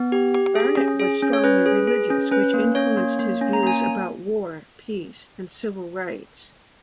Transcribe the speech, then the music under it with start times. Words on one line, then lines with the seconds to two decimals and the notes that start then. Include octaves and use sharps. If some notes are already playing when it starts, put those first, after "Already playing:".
Barnet was strongly religious, which influenced his views about war, peace and civil rights.
Already playing: B3
0.12 G4
0.34 G4
0.55 G#4
0.77 C#4
0.99 G#4
1.22 C#4
1.33 C#5
1.44 C#4 B4
1.66 G#4
1.87 G#4
2.10 C#4
2.32 C#4 B4
2.54 A#3
2.75 C#4 C#5
2.97 A#3
3.19 A#3
3.41 C#4
3.53 A#5
3.63 A#3 G#5